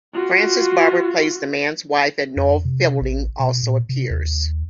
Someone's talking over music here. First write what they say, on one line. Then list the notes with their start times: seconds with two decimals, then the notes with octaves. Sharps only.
Frances Barber plays the man's wife, and Noel Fielding also appears.
0.14 F4 F#4
2.36 F2
2.65 C3
3.01 A1
3.40 B2
3.63 A#2
3.89 C3
4.10 D#2